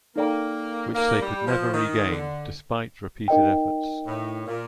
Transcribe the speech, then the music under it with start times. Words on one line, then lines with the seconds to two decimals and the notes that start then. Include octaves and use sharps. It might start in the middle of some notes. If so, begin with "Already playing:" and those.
Which they could never regain despite repeated efforts.
0.16 A#3 D#4 A4 D5 G5 A#5
0.94 A#3
1.20 G3
1.46 F3
1.72 D#3
2.11 D3
3.28 D#4 A#4 D#5 G5
4.06 A2
4.46 A#2